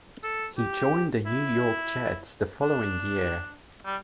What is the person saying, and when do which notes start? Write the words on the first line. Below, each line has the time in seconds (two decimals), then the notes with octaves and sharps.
He joined the New York Jets the following year.
0.24 A4
0.58 G4
1.26 E4
2.61 D4
3.86 G3